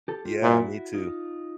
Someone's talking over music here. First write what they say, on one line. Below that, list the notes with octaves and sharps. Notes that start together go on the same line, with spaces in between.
Yeah, me too.
G4 A4
F4 G4
A#2 E4 F#4
D#4 F4